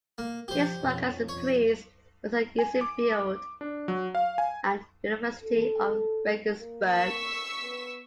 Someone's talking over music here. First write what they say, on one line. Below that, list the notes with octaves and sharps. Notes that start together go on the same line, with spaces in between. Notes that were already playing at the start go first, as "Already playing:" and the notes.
His work as a priest was at Geisenfeld, at the University of Regensburg.
A#3
F3 G4 C5
F2 B2 C#4
F2 C#5
G#5
D6
D4
F#3
F5
G#5
A4
A#3
C#6 E6 B6
B3